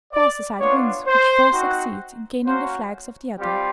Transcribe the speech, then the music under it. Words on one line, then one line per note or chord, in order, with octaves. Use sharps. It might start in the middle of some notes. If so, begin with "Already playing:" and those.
Of course the side wins which first succeeds in gaining the flags of the other.
D5
B3 D4 F4 C#5
C5
C4 D#4 F#4
A#3 C#4 F#4 C5
G3 C4 F4 G4